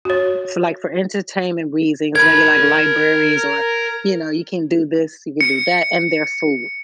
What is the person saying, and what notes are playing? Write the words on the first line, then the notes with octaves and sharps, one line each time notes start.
for, like, for entertainment reasons, maybe like libraries or, you know, you can do this, you can do that, and their food,
F#4 C#5
A#4 B5 G#6
C#7